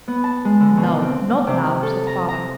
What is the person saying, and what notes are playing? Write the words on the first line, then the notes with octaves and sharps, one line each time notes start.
"No, not now," said Father.
B3
A5
G#3
D3
B2
C4
C3
A4
A#5
A#5